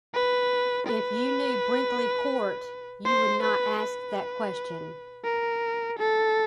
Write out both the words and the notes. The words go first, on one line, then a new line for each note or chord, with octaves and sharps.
If you knew Brinkley Court, you would not ask that question.
B4
B4
C5
B4
B4
A#4
A4